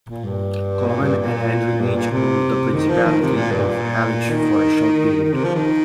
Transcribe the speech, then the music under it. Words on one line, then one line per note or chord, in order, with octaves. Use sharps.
Coloman and Andrew each ruled the Principality of Halych for a short period.
A#2
G2
A#2
G2
A#2
G2
A#2
C3
D#3
F3
D#3
C3
A#2
G2
A#2
D#3
D#3
C3
F3
D#3